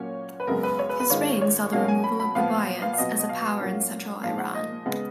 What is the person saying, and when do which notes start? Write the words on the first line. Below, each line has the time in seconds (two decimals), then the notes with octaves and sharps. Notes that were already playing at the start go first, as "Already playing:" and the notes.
His reign saw the removal of the Buyids as a power in central Iran.
Already playing: A#2 F#3 A#3 C#4 C#5
0.40 B4
0.47 F#2 C#3 G#3 B3 A#4
0.63 B4
0.79 C#5
0.89 B4
1.00 B4
1.10 G#2 D#3 G#3 C#4 F4 C#5
1.41 C#5
1.72 B2 F#3 A#3 C#4 F5
1.88 G#5
2.04 B5
2.20 B5
2.35 A#2 F3 B3 F4 F5
2.82 F5
2.93 F5
2.98 B2 F#3 B3 D#5
3.19 D#5
3.29 F5
3.60 A#2 F#3 A#3 C#4
4.23 A#2 F3 G#3 D#4 F5
4.38 F#5
4.54 D#5
4.86 C#3 G#3 B3